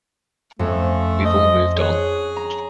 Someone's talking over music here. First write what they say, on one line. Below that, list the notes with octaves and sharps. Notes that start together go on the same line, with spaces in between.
We've all moved on.
F2 A3 C#4
D#5
G#4 C#5 F#6
A#5